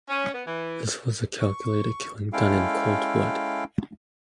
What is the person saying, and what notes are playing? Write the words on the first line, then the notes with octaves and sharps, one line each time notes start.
This was a calculated killing done in cold blood.
C#4
B3
E3
C#6
G#3 C#4 E4 A4 F5 G5